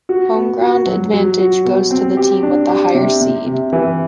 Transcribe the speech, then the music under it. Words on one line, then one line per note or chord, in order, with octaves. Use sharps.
Home-ground advantage goes to the team with the higher seed.
F#4
B3
F#4
F#3
F#3
F#4
B2
C4
G4
D4
G4
C3
C3
C3
E3